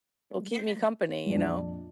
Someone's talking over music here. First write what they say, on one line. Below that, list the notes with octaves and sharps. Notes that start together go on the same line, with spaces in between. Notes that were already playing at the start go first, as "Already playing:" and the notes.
it'll keep me company," you know?
A#1 F2 D4